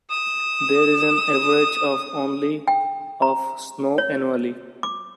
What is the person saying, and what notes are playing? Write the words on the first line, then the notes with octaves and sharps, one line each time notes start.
There is an average of only of snow annually.
D#6 E7
G5
A#5
C#5
D6